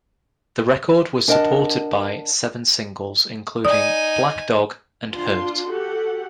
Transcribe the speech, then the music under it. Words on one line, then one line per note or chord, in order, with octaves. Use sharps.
The record was supported by seven singles including "Black Dog" and "Hurt".
D4 A#4 D#5 E5 F#5 A5
D#4 D5 G#5 D#6
D4 F4 C6
F#4 G4 A4 F#5